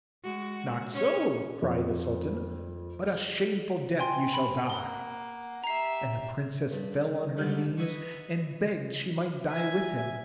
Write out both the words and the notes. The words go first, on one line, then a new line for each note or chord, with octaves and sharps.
'Not so!' cried the sultan, 'but a shameful death you shall die!' And the princess fell on her knees, and begged she might die with him.
G#3 F#4
C#4 C#5
F2
G5 G#5 C6
B5 F#7
A#3 F#5 G7
G4 E5 A#5 C7
G2
G#2 D3 G3 A3
B4 D#5 E5 G#5 B5 C#6
E5 G#5